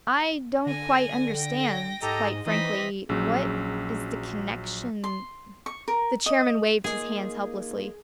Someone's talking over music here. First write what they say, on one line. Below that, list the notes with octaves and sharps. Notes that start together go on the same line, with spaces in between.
"I don't quite understand ... quite frankly ... what is the connection..." The chairman waved his hands helplessly.
D3 G#5 A#6
G5 A#6
G#2 G4 A4 D#5 A#5
E3 C4 D#4 D#5 C6 B6
A#1 F#3 C#4 G#4 E6
C6
C#6
A#4
D#5
A#3 D#4 F4 G#4